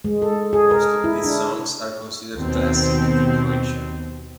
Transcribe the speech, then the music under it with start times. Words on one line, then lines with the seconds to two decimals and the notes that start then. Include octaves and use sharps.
Most of these songs are considered classic in Croatia.
0.04 G#3
0.22 A4
0.53 G#4
0.71 A#4
1.04 E4
1.24 D4
2.37 D#2 B2 C4